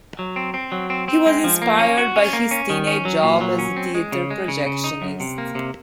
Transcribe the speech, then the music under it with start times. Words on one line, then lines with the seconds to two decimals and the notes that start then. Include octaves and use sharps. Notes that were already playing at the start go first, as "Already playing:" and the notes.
He was inspired by his teenage job as a theater projectionist.
0.19 F#3
0.36 C4
0.54 C4
0.72 F#3
0.90 C4
1.08 C4
1.26 G#3
1.44 F3
1.62 A#3
1.79 C#4
1.98 F#4
2.16 C#4
2.33 A#3
2.51 C#4
2.70 D#3
2.87 C#4
3.05 F#3
3.23 A#2
3.41 F#3
3.59 C#4
3.77 C4
3.94 G#3
4.12 C#3
4.30 G#3
4.48 C#3
4.66 C#3
4.84 D#4
5.02 F#2
5.20 C3
5.38 A#3
5.55 C3